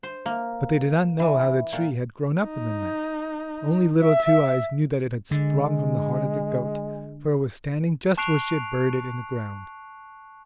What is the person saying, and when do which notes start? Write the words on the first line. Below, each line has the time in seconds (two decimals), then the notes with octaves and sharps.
But they did not know how the tree had grown up in the night; only Little Two-eyes knew that it had sprung from the heart of the goat, for it was standing just where she had buried it in the ground.
0.03 C5
0.26 A#3
1.20 E3
1.73 A#2
2.41 D#4
4.00 E5
5.31 D3 G#3
8.17 A5 C#6 F#6 C7 D7 F7